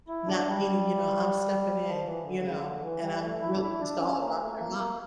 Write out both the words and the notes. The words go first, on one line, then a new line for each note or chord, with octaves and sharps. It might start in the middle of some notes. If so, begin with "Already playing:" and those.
not meaning, you know, "I'm stepping in, you know, and I'm really just all about your momma."
E4
D4
G3
F3
E3
D3
C#3
D3
E3
G3
A3
E4
D4
E4
D4
C#4
A#3
A3
A3
A#3
A#3